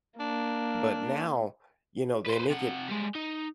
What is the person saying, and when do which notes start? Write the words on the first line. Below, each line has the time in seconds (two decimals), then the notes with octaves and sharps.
but now, you know, they make it
0.19 A#3 D4
2.26 B4 C5
2.50 C3 F#5
2.88 G3 G#3
3.15 D#4